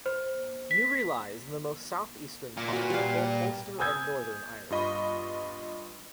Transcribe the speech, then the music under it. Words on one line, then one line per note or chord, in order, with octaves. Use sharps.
Newry lies in the most south-eastern part of both Ulster and Northern Ireland.
C5
B6
A#2
F#4 B4
G3 F5
G#5 D#6 E6 G6 G#6
G2 F4 D#5 B5 C#6